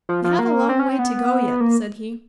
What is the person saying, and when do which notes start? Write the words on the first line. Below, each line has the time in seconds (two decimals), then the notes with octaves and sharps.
"We have a long way to go yet," said he.
0.09 F3
0.24 F3
0.39 A#3
0.69 C4
0.79 C#4
0.89 C4
0.99 B3
1.61 A#3